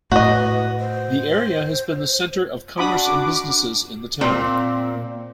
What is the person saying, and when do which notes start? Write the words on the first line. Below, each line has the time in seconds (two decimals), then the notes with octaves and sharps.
The area has been the center of commerce and businesses in the town.
0.12 A2 F#4 B4 D#5
0.80 C5
2.79 D4 F#4 B5 D6 D#6
4.21 A#2 C4